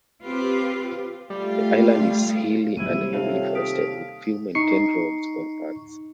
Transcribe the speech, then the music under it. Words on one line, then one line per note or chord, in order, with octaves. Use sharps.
The island is hilly and heavily forested, with few maintained roads or paths.
C4 F4 G4 B4
G3 A3 F4 F5
G#2 C3 F#3 G3 A#3 E4 D#7
D#2 F4 A4 C#5 E5 F5
D#6 B6 D7
D#4 C#6 C7 C#7